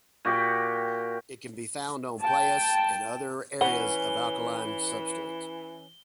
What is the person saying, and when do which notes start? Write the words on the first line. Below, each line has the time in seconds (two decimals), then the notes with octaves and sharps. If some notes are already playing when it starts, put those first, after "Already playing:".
It can be found on playas and other areas of alkaline substrates.
0.25 A#2 F#4 G4 G5
2.20 G5 A5
3.61 E3 C#4 B4 F#5 G7